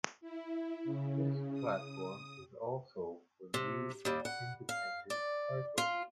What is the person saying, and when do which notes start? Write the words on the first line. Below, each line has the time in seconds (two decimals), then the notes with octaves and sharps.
This platform is also for new and independent artists.
0.21 E4
0.84 C#3
1.53 D#6
3.54 C3
4.05 D#2 G3
4.25 F#5
4.69 F5
5.10 D5
5.78 F4